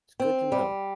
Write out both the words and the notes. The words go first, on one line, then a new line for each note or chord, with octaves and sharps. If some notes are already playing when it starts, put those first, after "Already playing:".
It's good to know.
C4
G3